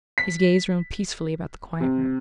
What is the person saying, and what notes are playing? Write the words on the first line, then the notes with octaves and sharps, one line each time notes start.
His gaze roamed peacefully about the quiet room.
B6
C3